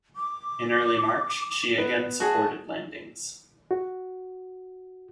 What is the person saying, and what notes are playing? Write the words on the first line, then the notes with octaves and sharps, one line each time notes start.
In early March, she again supported landings.
D6
B3
F#4 G#4 A5
F#4